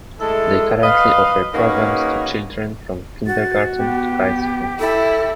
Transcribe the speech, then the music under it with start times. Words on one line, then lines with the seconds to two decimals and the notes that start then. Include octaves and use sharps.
They currently offer programs to children from kindergarten to high school.
0.20 G#3 A3 E4 A4
0.82 B4 D#5 F5
1.53 A#3 C#4 D#4 F#4 G#4 B4
3.27 F#4 A6
3.77 B3 G4
4.79 E4 A4